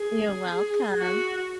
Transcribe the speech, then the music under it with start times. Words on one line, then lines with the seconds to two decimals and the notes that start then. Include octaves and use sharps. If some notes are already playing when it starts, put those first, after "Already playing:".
You're welcome!
Already playing: G#4
0.98 F#4